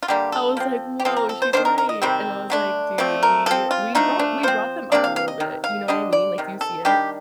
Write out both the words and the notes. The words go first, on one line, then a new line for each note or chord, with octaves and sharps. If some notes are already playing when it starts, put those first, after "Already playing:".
I was like, "Whoa, she's right." And I was like, "Dude, we we brought we brought them up a little bit." You know what I mean? Like, do you see it?
F4
D3 G3 A#3 G4
A4
F3 C4
G4
F3 C4 A4
A#4
A4
C5
D#3 A#3 D4 C5
A#4
A#4
D#5
C3 D#3 G3 C4
D3 A3 D4
F3 A3 C4 D5
A#4
F3 C4 A4
F4
F3 A3 D4 D#4
D4
F3 C4 C5
C3 D#3 A#3 D4 D5
F5
F5
D#5
C3 D#3
F5
D3 G3 D4 D#5
D5
C3 D#3
A4
D#3 G3 D4 G4